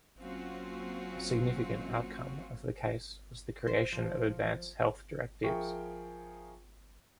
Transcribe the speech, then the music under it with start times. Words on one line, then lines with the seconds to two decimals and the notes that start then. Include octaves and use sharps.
A significant outcome of the case was the creation of advance health directives.
0.19 F#3 A#3 C4 C#4 F4 F#4
3.67 C5
3.92 F3
5.43 F3 G#4 A#4 E5 G5 C#6